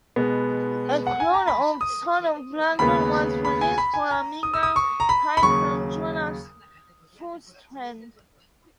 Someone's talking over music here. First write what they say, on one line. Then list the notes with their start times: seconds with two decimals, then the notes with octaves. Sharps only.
A clone of "Son of Blagger" was released for Amiga, titled "Jonas Fulstrand".
0.16 B2 G#3 B3
1.07 F#5
1.20 G#5
1.34 A#5
1.48 B5
1.81 D#6
2.79 D#2 C#3 G#3 B3 B5
3.45 B5
3.61 G#5
3.78 B5
3.94 G#5
4.11 A#5
4.43 D#6
4.54 E6
4.63 D#6
4.76 C#6
5.00 A#5
5.09 B5
5.37 B5
5.42 D#2 C#3 F#3 C#6